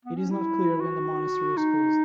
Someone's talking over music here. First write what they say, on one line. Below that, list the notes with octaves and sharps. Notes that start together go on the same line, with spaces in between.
It is not clear when the monastery was closed.
B3
C#4
E4
F#4
D#4